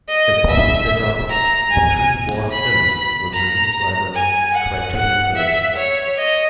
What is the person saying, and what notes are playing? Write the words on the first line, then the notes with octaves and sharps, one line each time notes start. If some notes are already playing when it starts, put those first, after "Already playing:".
A box set of the Three War Films was released by The Criterion Collection.
D#5
E5
A#5
G#5
B5
A#5
G#5
F#5
F#5
E5
C#5
D#5